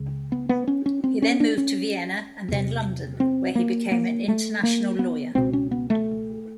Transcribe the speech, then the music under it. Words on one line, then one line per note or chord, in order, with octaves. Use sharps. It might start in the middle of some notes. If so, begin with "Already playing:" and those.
He then moved to Vienna, and then London, where he became an international lawyer.
Already playing: C#2 C#3
B3
B3
C#4
C#4
C4
C#4
D4
C#4
E2 C3
C4
A#3
A#3
A3
A#3
B3
C#2 B2 C4
C#4
B3
A3